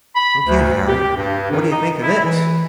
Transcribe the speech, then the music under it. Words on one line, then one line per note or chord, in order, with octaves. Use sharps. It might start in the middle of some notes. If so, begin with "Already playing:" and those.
"Look here, Harry; what d'ye think of this?"
B5
D2
G4
G2
D#3
D#4
E4
E3